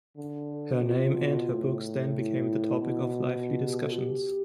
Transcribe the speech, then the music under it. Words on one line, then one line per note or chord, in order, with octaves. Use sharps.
Her name and her books then became the topic of lively discussions.
D3
A4
C3 F4
B2
A2
E4
B2
F4
G4
A4
F4
G4